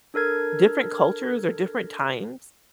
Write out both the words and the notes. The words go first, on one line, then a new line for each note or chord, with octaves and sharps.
different cultures, or different times
D4 A4 A#4 G#6